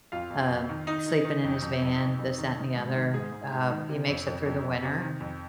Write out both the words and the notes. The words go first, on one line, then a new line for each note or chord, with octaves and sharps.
uh, sleeping in his van, this, that, and the other, uh, he makes it through the winter,
F2 F4 F5
F2
F2
D#3
D#3 D#4 D#5
D#3
D#3
F2
F2
F2
F2
F2
D#3
D#3
G#2
D#3
G#2 G#4
G#2
G#2
D#3
C3
F2
F2
F2
F2
C3
D#3
F2